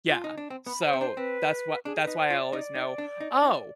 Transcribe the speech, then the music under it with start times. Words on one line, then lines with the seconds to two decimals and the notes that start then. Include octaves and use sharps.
yeah, so, that's what that's why I always know, oh
0.10 F4
0.24 D#4
0.38 D4
0.50 C4
0.66 B3 B5
0.83 C5
0.93 C4
1.00 D4 C5
1.17 C4 B4
1.85 D4 G#4
2.02 D#4 B4
2.19 C5
2.30 F4
2.36 D5
2.53 D#4
2.75 D#4
2.98 D4
3.20 D#4
3.43 D#4